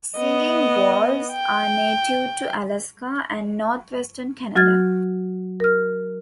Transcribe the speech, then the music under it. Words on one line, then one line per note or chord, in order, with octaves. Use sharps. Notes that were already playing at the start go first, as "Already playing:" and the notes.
Singing voles are native to Alaska and north-western Canada.
B3 D#5
G5
F#3 F#4 F6 G#6 A6
A#4 F6